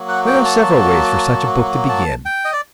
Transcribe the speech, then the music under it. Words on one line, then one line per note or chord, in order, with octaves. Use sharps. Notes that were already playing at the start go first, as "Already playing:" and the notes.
There are several ways for such a book to begin.
Already playing: F#3 A#3 F#4
F#5
G5
A5
A5
G5
D#5
D5